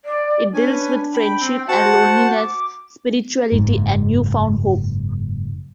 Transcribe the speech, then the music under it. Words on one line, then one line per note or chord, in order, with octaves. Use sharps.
It deals with friendship and loneliness, spirituality and newfound hope.
D5
C#4 D4 B4 G#5
G5 B5
C4
F#4 C5 F#5 A5
D6
F#1 G#2